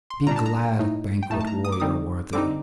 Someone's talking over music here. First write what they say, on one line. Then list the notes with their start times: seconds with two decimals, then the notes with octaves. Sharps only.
Be glad at banquet, warrior worthy!
0.10 C6
0.26 A#2 G3 D4 A#5
0.36 A5
0.46 A#5
0.79 A2 A3 D#4
1.23 G5
1.30 A2 A3 D#4 A5
1.41 A5
1.47 A#5
1.65 D#6
1.72 D6
1.80 D3 G3 C4 D#4 D#6
2.33 D3 G3 C4 D#4 D6